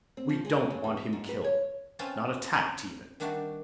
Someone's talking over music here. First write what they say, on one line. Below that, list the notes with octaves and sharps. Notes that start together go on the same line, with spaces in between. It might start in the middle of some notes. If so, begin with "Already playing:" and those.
We don't want him killed, not attacked, even.
C4
F3
G#3
C#3
E2
E5
G#2
B4
C#5
C4 C#4 F4 B4 A5
D#3 G3 D4 F#4 E5